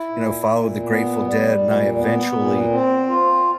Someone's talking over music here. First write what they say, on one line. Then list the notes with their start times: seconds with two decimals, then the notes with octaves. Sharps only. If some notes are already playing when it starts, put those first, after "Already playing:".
you know, follow the Grateful Dead, and I eventually,
Already playing: E4
0.09 A#2
0.46 A#2
0.83 B3
1.20 G3
1.58 A#2
1.95 B3
2.32 A#2
2.69 C4
3.06 F4